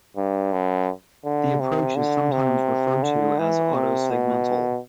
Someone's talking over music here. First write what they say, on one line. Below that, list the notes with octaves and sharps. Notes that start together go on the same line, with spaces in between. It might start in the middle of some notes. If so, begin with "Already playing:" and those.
The approach is sometimes referred to as Autosegmental.
G2
F#2
D3
C3
D3
C3
D3
E3
C3
B2